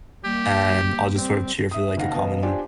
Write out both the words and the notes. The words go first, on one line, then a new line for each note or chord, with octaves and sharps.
and I'll just sort of cheer for like a common
G3 A#3 G4
G3 C4
E5 D#6
F#1 D#3 F5 F#5 A#6
E1 B3 D#5 F5 A5
D4 F4 G4 C5 D5 G#5